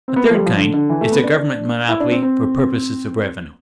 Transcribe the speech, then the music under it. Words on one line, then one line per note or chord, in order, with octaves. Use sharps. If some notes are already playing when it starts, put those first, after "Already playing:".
A third kind is a government monopoly for purposes of revenue.
C4
B3
A3
F3
G3
F3
D3
D3
E3
A3
B3
D4
E4
D4
C4
C4